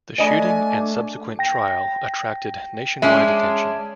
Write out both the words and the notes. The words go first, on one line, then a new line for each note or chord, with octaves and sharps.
The shooting and subsequent trial attracted nationwide attention.
A3 D4 D5 D#5 G#5 B5
G5 A#6
G#3 C#4 D4 E5